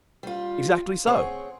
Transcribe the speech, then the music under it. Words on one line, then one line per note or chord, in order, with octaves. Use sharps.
"Exactly so."
G3 F4
C4 G#4 C#5 F#5